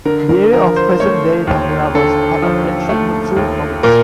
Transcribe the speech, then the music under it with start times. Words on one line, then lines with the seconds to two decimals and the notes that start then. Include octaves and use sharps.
The area of present-day Tamura was part of ancient Mutsu Province.
0.05 D3 A#4
0.29 A#4
0.53 F3 A#4
0.76 C5
1.00 A3 C#5
1.47 D#2
1.95 D3 A4
2.42 F3
2.89 A3
3.36 D#2
3.83 A#2 A#4